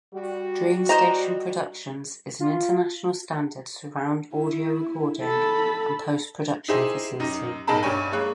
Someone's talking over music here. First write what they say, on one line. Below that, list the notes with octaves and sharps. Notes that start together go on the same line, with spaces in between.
Dream Station Productions is an international standard surround audio recording and post production facility.
G3 F#4
C5 D#5 A#5
F4
E4
A4 B5
D#4 E4 G4 G#4 C5 E5
F#2 D#4 G4
B1 G#2 G#4 A#4 A5 B5
G2 G4 C#5 G#5
G#3 A#3 C#5 F#6